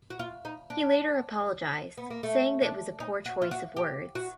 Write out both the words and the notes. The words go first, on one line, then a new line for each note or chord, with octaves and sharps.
He later apologized, saying that it was a poor choice of words.
F#4
F4
D#4
D4
B3
A#3
A3
D4
D#4
F#4
F4
F#4
G4
F#4